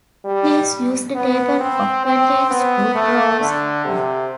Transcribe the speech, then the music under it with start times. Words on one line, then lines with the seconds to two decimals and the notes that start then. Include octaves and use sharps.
Please use the Table of Contents to browse it.
0.25 G3
1.15 B3
1.60 C4
2.05 C4
2.50 B3
2.95 A3
3.40 D3
3.85 C3